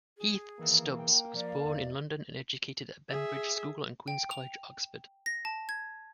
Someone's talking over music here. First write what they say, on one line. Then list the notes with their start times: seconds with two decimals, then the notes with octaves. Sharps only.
Heath-Stubbs was born in London, and educated at Bembridge School and Queen's College, Oxford.
0.18 G#4
0.60 D#3 E3 A#3
0.99 G5
1.35 F3 D5 F5
1.65 E2
3.10 G#4 E5
4.08 G5
4.31 F7
5.26 A#6
5.45 A5
5.69 G#6